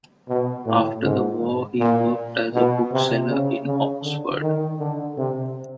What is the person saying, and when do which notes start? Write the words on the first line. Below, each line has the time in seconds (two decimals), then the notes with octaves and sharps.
After the war, he worked as a bookseller in Oxford.
0.28 B2
0.66 A2
1.04 G#2
1.79 A#2
2.54 B2
2.92 C3
3.29 C#3
3.66 C#3
4.04 D3
4.42 D#3
4.79 D3
5.17 C3